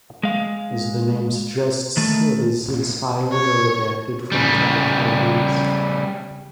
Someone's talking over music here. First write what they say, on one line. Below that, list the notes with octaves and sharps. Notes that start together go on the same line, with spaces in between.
As the name suggests, it is inspired or adapted from Thai flavours.
G#3 F5
D#3 A3
C#5
C#3 G3